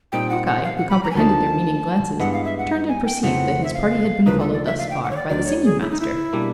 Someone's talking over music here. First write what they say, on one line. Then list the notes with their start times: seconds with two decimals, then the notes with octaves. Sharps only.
Hawkeye, who comprehended their meaning glances, turned and perceived that his party had been followed thus far by the singing-master.
0.12 A#2 G3 C4 D#4 G5
0.30 F#5
0.46 F#5
0.64 F5
0.77 F#5
0.90 B5
1.03 A#5
1.11 G#5
1.15 D2 D3 F3 A#3 D#4 A5
2.20 G2 E3 G#3 B3 F#5
2.33 F5
2.45 E5
2.58 F#5
2.89 G#5
3.05 G5
3.23 F2 C#3 E3 A3 C4 F#5
3.64 E5
3.74 F5
4.26 D2 C#3 F3 A#3 D#4 B4
4.39 A4
4.53 D5
4.66 E5
4.78 F5
4.90 G5
5.03 F#5
5.11 C#5
5.16 D5
5.29 D2 D3 F#3 D5
5.47 C#5
5.65 G#4
5.81 E4
5.91 D#4
6.00 E4
6.33 B2 G3 A#3 D4